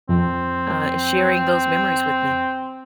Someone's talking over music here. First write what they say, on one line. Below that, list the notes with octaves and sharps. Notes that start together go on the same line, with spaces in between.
uh, sharing those memories with me.
F2 F3 C4